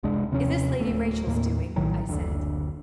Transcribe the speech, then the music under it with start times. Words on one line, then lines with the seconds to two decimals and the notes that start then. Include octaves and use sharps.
"Is this Lady Rachel's doing?" I said.
0.03 F1 C2 G#3 D4
0.32 D#2 C3 F3 C#4
0.79 D1 A3
1.27 D#2 A2 A#3
1.76 A#1 A2 D#3 F#3
2.07 F#1 D2 D3